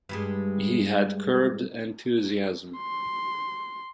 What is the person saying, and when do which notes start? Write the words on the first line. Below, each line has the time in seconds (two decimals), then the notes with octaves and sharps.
He had curbed enthusiasm.
0.09 G2 G3 G#3
2.78 C6